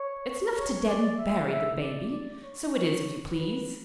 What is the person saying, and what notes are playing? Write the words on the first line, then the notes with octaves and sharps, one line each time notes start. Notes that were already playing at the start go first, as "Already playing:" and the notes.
"It's enough to dead and bury the Baby, so it is if you please."
Already playing: C#5
C#5
D5
E5
E5
D5
D5
C#5
C#5
B4